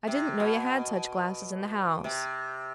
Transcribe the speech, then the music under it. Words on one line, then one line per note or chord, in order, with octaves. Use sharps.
I didn't know you had such glasses in the house.
C3
B2
C3